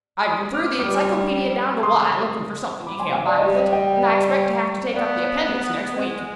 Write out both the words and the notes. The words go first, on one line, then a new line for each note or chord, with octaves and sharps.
I've been through the encyclopaedia down to Y looking for something you can't buy with it; and I expect to have to take up the appendix next week.
C6 D#6
D6 F6
G3 D6 F6
C6 D#6
B5 D6
G#5 C6
F5 G#5
D5 F5
G3 D#5
D#5
D#5 G5
B3 D5 F5
B3
G#3 D#5